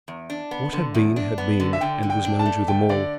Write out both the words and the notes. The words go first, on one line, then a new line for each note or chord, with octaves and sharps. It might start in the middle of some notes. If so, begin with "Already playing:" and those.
What had been had been, and was known to them all.
E2
D4
B3
D3
E2
D4
B3
D3
E5
D3 G5
D3
G5
D4
A5
A3
D3 G5
D3 D5